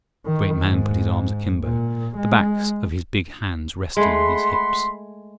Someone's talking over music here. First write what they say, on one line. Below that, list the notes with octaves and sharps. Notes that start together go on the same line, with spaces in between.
The great man put his arms akimbo, the backs of his big hands resting on his hips.
D#3
G#2
A#2
G#3
G#3 A3 F#5 B5 C6